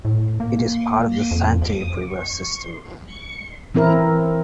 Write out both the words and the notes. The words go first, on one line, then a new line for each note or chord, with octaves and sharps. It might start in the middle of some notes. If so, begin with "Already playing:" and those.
It is part of the Santee River System.
A2
A#3
F2
F2
E3 C4 E4 A#4